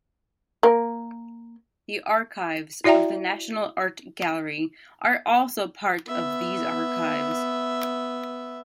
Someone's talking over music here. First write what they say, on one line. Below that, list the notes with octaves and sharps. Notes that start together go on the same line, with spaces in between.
The archives of the National Art Gallery are also part of these archives.
A#3
E4 F#4 D5 E5 G5 A#5
B3 E5